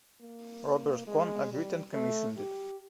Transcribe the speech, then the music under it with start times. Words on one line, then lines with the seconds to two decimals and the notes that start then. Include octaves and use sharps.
Robert Kohn agreed and commissioned it.
0.21 A#3
1.07 G#3
1.53 G3
1.93 A3
2.37 G4